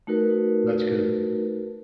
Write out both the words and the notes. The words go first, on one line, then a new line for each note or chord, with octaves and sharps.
That's good.
A3 D#4 F#4 A#4 B4